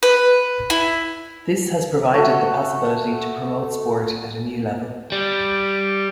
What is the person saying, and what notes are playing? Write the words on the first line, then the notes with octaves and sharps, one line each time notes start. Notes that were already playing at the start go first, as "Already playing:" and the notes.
This has provided the possibility to promote sport at a new level.
B4
E4
A3 F#4
G3